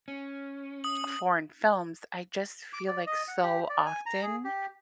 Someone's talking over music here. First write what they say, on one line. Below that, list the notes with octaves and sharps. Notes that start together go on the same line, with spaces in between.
foreign films. I just feel like so often,
C#4
D#6 F#7
D6
D5
D#5
F#5
G4
D5
G#5
A#5
G#4
G4